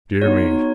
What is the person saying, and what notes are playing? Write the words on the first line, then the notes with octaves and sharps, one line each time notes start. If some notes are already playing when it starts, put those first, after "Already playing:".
Dear me!
B3 D#4 F#4 C#5